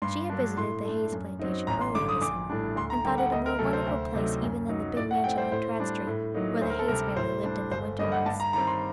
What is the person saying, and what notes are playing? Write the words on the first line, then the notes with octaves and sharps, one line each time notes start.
She had visited the Hayes plantation early in the summer, and thought it a more wonderful place even than the big mansion on Tradd Street where the Hayes family lived in the winter months.
G2 C6
F#3 A#3 D4
A2 C6
A3 D4
F#2
F#3 C4 D#4
A1 A#5
C6
G2 D3 D6
D#6
A#1 D6
A2 G3 D4
D2 C6
A#5
D3 G3 A#3 G5
F#5
D2 D#5
A#4
C3 F#3 A3 A4
C5
D2
C3 F#3 A3 D#4
F#2
F#3 A#3 D#4
A2 D5
F#5
A3 C4 G5
C5
A2 C5
G3 D4
A2
F#3 A#3 D#4
D2 C5
A#4
A4
C3 G3 A#4
A2 C5
G3 D4
G1 C5
G2 D3 G3 A#3 D#5
F#5
G2 A5
A#5
D#3 G3 C4 A#5
C6